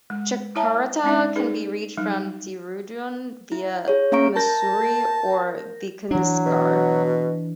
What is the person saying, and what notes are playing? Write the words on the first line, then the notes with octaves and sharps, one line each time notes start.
Chakrata can be reached from Dehradun via Mussoorie or Vikasnagar.
G#3
E4 C#5 E5 A5 A#5
G#3 C4 C#4 D#4 D5 E5
D#4 G#4 B4
F#3 G3 D#4
E4
G#4 C#5
A#3 C#4 F5 A#5 C#6 D7
A#4 A5 G6 A#6
E3 F#3 D4
B2